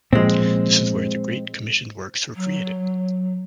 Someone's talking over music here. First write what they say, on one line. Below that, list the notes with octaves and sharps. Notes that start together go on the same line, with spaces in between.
This is where the great commissioned works were created.
A#2 F3 G#3 C4
F#3